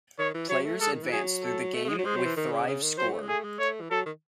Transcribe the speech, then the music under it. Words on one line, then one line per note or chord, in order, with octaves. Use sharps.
Players advance through the game with Thrive Score.
D#3 C#5
E3
F#3 C#5
A3
G#3 A4
D#3
E3
F#3 G#4
A4
A3
A3
G#3
F#3
G#3 C5
F#3
E3
D#3
C#3
C#3
D#3
F#3 C5
A3
G#3
A3 G#4
G#3
A3 C#5
E3
F#3 A4
D#3